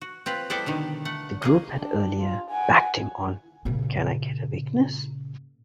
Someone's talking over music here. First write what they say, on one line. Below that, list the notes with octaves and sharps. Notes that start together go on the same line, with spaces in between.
The group had earlier backed him on "Can I Get a Witness".
F#4
C4 F4 B4
G3 B3 E4 A4 C5 D5
B2 D3 D#3
A3 F#5
A#3 G#4 D#5
D4 G4
F4
F#5 G#5
A#2 C#3